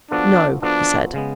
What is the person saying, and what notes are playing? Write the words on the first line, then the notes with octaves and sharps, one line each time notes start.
"No," he said.
F3 B3 D4 F#4 A4
F3 B3 D4 F#4 A4
C#3 G#3 B3